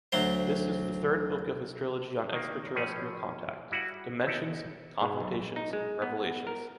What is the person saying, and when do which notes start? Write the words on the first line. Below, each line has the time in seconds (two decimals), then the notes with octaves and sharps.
This is the third book of his trilogy on extraterrestrial contact: “Dimensions”, “Confrontations”, “Revelations”.
0.12 D2 F#3 C5
2.33 D#3 A#3
2.75 A2 F3 A3 C#4 G#4
3.71 G3 E4 F#4 G#4 F#5
4.26 D#4 E4 A4 D5
5.01 G#2
5.20 B1
5.56 D#4
5.73 G#3
6.02 B3
6.47 A#4